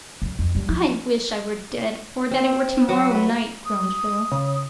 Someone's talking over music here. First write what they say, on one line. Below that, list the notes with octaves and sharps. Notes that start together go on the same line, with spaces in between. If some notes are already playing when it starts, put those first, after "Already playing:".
"I wish I were dead, or that it were tomorrow night," groaned Phil.
F#2
F2
G3
F3
C4
F#3 F#4
B4
D#6
C#3